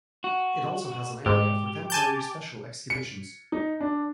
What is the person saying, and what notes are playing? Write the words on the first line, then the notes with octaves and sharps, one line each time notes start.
It also has an area for temporary special exhibitions.
F#4
G#2 G4
G#5 A5 G6
C#7
D#4
D4